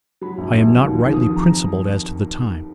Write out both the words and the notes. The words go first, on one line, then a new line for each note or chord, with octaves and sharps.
I am not rightly principled as to the time.
F#3 B5
A#1
A#1
F#3
D#2
D#2
F3 D#6
F2
A#5